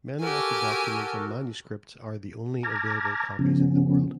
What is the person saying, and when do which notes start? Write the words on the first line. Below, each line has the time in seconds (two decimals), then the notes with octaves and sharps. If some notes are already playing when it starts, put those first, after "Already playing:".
Many of the documents and manuscripts are the only available copies in the world.
0.21 F#4 G4 A4 A#4 G#5
2.63 A5 A#5 D6 F6 G#6 A#6
3.39 C#3 F3 B3 C#4